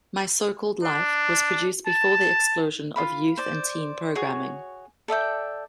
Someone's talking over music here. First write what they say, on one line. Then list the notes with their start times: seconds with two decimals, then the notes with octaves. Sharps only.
"My So-Called Life" was produced before the explosion of youth and teen programming.
0.83 D4
1.87 A5
2.96 F4 F5 B5
3.37 C5 D5
4.15 F#4 G#4 C#5 C#6
5.08 A4 D5 E5 G5